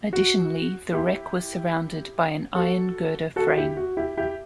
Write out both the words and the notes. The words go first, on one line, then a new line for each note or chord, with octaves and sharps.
Additionally the wreck was surrounded by an iron girder frame.
F#4
E4 G4
F#4 A4
F#4 A4
E4 G4
F#4
E4 G4
E4 G4